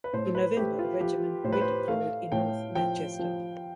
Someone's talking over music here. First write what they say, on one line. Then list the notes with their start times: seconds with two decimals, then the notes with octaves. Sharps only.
In November the regiment redeployed in North Manchester.
0.04 B4
0.13 A2 C5
0.35 B4
0.57 A3 G4
0.79 F4
1.01 F3 G4
1.44 A2 C5
1.52 B4
1.61 C5
1.88 A3 F5
2.32 A2 G5
2.75 F3 G5
3.19 F3